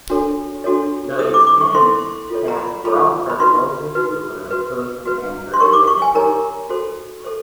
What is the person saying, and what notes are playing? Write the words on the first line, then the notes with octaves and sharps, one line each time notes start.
The experience has brought her closer to her husband and her faith.
D4 F#4 A4 C#5
D4 F#4 A4 C#5
E4 A4 C5 D#6
D6
D6
C#6
E4 A4 C5 C6
F4 A4 C#5
A#5
B5
F4 A4 C#5 B5
B5
D#4 F#4 B4 C6
D#4 F#4 B4
F#4 B4
F#4 B4
C6
D#4 G4 A#4 C#5 C#6
D6
C#6
G#5
D#4 G4 A#4 C#5 A#5
F#4 A4 C5
A4 C5